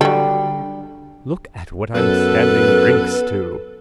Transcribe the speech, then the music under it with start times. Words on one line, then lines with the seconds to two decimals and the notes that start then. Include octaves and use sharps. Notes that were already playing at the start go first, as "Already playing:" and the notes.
Look at what I'm standing drinks to!
0.01 D3 F#3 G3 A4
1.95 F#2 B3 A4 B4